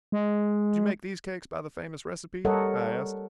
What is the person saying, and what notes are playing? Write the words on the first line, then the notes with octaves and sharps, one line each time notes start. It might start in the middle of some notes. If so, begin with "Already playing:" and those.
"Did you make these cakes by the famous recipe?" I asked.
G#3
G3 A4 A#4 C#5 D#5 F#5